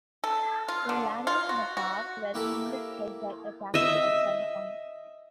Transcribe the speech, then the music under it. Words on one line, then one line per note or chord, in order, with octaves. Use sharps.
They landed in a park where Killick hijacked a taxi at gunpoint.
A4
F4
D3
F4
F#4
F#4
A#3 E4 G4 A4
D#5 E5